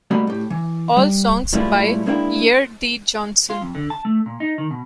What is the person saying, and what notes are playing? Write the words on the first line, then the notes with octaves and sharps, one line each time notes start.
All songs by Eric D. Johnson.
G3 A3 A#3 F#4 D#5 B5
A2 G4
E3
G3
A2 G3 G#3 A#3 E4 F4
G#3 A#3 D4 E4 G5
F4
F2
D3
A5
A3
A#2
D#4
D#3
B2